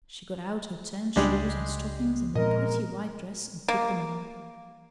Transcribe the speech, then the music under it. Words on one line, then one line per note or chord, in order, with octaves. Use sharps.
She got out her tan shoes and stockings and the pretty white dress and put them on.
C#2 G3 G#3 D4
A#2 F3 G#3 C4 A#4 D#5
A#3